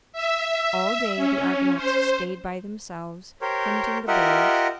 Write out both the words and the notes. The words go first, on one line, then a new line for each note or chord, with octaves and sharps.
All day the Argonauts stayed by themselves, hunting the bulls.
E5
C#4
C5
G4 A#4 C5 C#5
F4 G4 A#4 D#5 E5 F#5